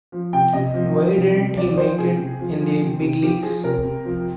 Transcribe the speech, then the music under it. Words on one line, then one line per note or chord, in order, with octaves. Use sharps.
Why didn't he make it in the big leagues?
F3
C3 G5
C3 D#5
F3
F3
C3
C3
F3 D5
F3 C5
C3 G#4
C3
F3
F3
C3
C3
F3 G4
F3 G#4
C3 A#4
C3
F3